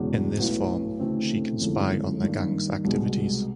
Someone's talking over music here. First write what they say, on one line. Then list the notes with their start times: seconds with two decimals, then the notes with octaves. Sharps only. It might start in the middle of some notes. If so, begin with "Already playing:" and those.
In this form, she can spy on the Gang's activities.
Already playing: F#1 E2 B2 G#3 C#4
0.39 B1 A2 F#3 B3 E4
1.00 D2 C#3 E3 A3 C4
1.61 G1 F2 C#3 E3 G#3
2.23 G2 D#3 G3 A#3
2.85 C2 B2 G#3